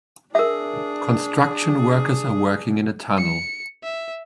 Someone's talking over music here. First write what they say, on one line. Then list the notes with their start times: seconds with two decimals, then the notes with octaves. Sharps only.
Construction workers are working in a tunnel.
0.35 D4 G#4 A#4 E5
3.17 C#7
3.83 E5